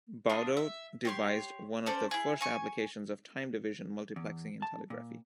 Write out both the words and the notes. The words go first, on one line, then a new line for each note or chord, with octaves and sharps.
Baudot devised one of the first applications of time-division multiplexing in telegraphy.
D4 F4 D#5
E5
G4 C#5 C6
C#4 A4 C5 D5
E4 G#4
G#5 C#6
E2
A5
A#2